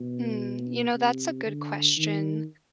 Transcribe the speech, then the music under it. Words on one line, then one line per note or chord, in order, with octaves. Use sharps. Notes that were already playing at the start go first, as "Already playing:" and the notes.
Hmm, you know, that's a good question.
Already playing: B2
C3
D3
D#3